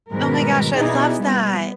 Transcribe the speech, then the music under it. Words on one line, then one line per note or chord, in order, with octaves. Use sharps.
Oh my gosh, I love that.
G#2 B2 D#3 G3 A#4 B4
B2 B3 D#4 E4 G#4 D5
G3 B3